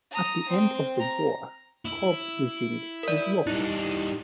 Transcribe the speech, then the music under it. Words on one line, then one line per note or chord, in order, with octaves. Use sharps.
At the end of the war Cobb resumed his law practice.
A#5 D#6
C4
A#5
E4
A#4 D5
G3 D#4 E4